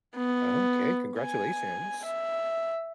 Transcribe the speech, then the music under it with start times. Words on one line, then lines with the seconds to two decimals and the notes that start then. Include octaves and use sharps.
Okay, congratulations.
0.16 B3
1.20 G#5
2.06 E5